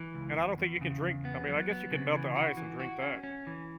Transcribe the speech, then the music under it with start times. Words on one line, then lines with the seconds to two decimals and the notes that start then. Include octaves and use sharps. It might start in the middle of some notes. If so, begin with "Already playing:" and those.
And I don't think you can drink I mean, I guess you can melt the ice and drink that.
Already playing: E3
0.14 C#2
0.36 E2
0.59 E2
0.81 C#3
1.03 E2
1.25 B3
1.47 F#3
1.70 B3
1.91 C#3
2.14 E3
2.36 F#4
2.57 E3
2.80 F#4
3.02 C#4
3.24 C#4
3.47 E3